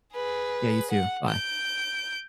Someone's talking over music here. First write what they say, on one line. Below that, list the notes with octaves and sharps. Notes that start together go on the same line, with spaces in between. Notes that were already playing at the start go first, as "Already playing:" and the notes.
Yeah, you too, bye.
G#4 B4
F#5
G6 D7